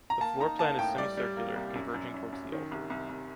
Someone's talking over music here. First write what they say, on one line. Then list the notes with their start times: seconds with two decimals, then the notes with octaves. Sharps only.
The floor plan is semicircular, converging towards the altar.
0.10 A#5
0.20 A#3 A5
0.40 D#4 A#5
0.59 A#3 A5
0.78 A2 G5
0.98 G3 D5
1.17 G3
1.37 A#3
1.56 C2
1.75 F#2
1.94 F#2
2.14 F#2
2.32 F#2
2.52 D#3
2.72 C2
2.90 C2
3.09 C2